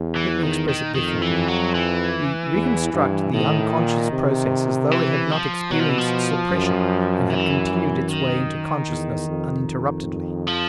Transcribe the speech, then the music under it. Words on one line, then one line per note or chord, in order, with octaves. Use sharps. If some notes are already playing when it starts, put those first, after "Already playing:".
Let me express it differently: we reconstruct the unconscious process as though it had not experienced suppression and had continued its way into consciousness uninterruptedly.
Already playing: E2
E3
D#3
D#3
F2 D#3
E3
F#3
E3
E2
G2
A2 D#3
A#2
C3
E3
F3
B2 F#3
F3
E3
F3
F#2
E3
D#3
E2
F2
F3